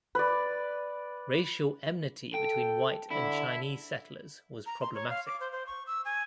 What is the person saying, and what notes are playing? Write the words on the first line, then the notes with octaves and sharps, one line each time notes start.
Racial enmity between white and Chinese settlers was problematic.
B4 D5
A4 G5
D3 E4
A#5
C6
C#5
F5
D6
C5
C5
C#6
E6
G#5